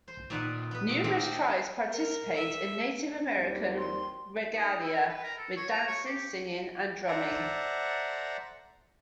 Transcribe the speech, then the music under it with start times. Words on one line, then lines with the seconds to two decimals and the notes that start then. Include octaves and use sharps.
Numerous tribes participate in Native American regalia with dancing, singing and drumming.
0.08 C5
0.30 A#2 D#3 B4 D5 F#5
0.71 B3 B4
0.89 A#2 F5
1.04 D#3 A3 C4 G4
1.93 A#4
2.36 E5
3.36 D#2 G3 C4
3.77 C6
4.56 D#4
4.83 E4
5.09 B4
5.24 A#4
5.38 A4
5.57 C#5
5.70 A#5
5.88 C#5
6.06 G4
7.08 A4 C5 D5 E5 F#5 A#5